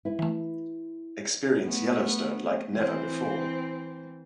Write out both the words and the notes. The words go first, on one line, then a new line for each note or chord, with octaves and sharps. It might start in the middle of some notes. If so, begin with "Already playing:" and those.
Experience Yellowstone like never before!
E4 B4
E3 A3
A3 B3
E3 C4